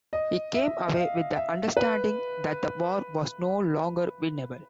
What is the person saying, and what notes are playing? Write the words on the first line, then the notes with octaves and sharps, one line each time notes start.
He came away with the understanding that the war was no longer winnable.
D#5
E5
F5
E5
B4